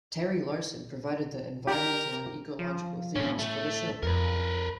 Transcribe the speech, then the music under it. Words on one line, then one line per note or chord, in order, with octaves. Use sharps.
Terry Larsen provided the environmental and ecological themes for the show.
G4 A#4
F3
A2 D3 C#4
A3
F2 A#4 B4